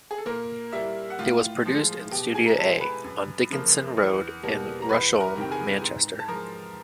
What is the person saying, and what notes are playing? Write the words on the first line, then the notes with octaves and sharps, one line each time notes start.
It was produced in Studio A on Dickenson Road in Rusholme, Manchester.
G#4
A4
A#2 A#3 A#4
G3 A#3 E4 E5
F#5
A2 F4 F5
F3 G#3
B2 G4 G5
G#4 G#5
A#5
G#3 A4 A5
B4 B5
F#2
C#3 F3 A#3
E2
B2 G3 A#3
A#5
E2 B4 B5
A#4 A#5
C3 D#3 G5
G#4 G#5
G#2
A5
F3 G#3 A#4 A#5